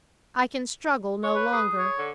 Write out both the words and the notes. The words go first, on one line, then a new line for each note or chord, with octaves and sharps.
I can struggle no longer.
C#5
B4
G#4
C#5
D3